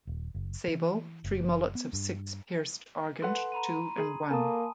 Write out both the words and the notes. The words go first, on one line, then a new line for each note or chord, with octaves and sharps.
Sable, three mullets of six pierced Argent two and one.
D#1
F#1
E3
F#1
B3
G2
A4 B4 F#5 C6
A#5 B5 D#7
G#4
A#3 A4 G#5 A5 D#6